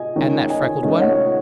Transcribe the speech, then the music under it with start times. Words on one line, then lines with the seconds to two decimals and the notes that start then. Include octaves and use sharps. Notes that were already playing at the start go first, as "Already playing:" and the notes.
"And that freckled one?"
Already playing: D#5 G#5
0.16 D#3 G#3 C#4
0.49 D#5 G#5
0.83 D#3 G#3 C#4 D#5
0.95 D#5
1.01 C#5 F#5